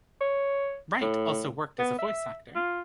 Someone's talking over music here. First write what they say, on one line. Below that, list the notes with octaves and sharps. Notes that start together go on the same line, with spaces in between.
Wright also worked as a voice actor.
C#5
A2
B3
E5
F4